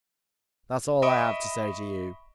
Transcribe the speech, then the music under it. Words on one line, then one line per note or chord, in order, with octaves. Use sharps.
That's all I have to say to you.
D#5 E5 B5 C#6 D#6 D7